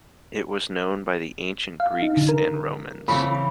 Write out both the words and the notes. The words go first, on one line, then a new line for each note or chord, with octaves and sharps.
It was known by the Ancient Greeks and Romans.
F5
D#4
D3
A#4
C#3 E3 C4 B5